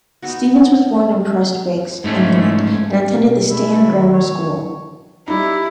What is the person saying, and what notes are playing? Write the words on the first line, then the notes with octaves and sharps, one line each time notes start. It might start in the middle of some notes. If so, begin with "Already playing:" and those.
Stevens was born in Prestwich, England, and attended the Stand Grammar School.
B3 D#4 F#4
G#2 A3 C#4
B2
A3 E4
D#3 F#3
C#5
G3 D#4 E4